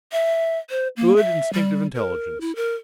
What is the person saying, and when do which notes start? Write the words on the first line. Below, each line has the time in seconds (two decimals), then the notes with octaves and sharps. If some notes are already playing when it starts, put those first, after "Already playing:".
Good instinctive intelligence.
0.12 E5
0.70 C5
0.97 A#3
1.17 E5
1.53 G3
1.95 A#4
2.41 E4
2.56 A#4